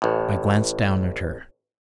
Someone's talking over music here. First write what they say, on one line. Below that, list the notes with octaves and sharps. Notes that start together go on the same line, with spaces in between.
I glanced down at her.
A1 A2